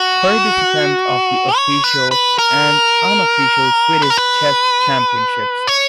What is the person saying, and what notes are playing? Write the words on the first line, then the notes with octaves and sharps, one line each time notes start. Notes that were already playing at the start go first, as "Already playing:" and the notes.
Participant of the official and unofficial Swedish Chess Championships.
Already playing: F#4
C#5
B4
B4
A#4
B4
A#4
B4
C#5